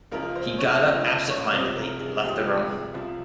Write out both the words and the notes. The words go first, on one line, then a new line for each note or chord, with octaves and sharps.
He got up absent-mindedly and left the room.
C#2 C#3 F3 A#4
C5
C#5
C#2 C#3 F3 D#5
D#5
C#5
C2 C3 F3 C5
A#4
G#4
C2 C3 F3 G4
G4
G#4
C2 C3 F3